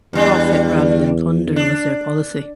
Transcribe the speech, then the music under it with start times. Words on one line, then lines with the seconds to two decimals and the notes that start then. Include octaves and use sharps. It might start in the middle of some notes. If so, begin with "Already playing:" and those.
Profit rather than plunder was their policy.
0.13 E2 G2 G3 D4
1.56 D4